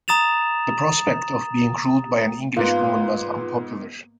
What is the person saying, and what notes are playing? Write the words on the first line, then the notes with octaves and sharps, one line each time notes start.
The prospect of being ruled by an English woman was unpopular.
A#5 D#6 A6 E7 F7
G#2 A#3 B3 F4 B4 C6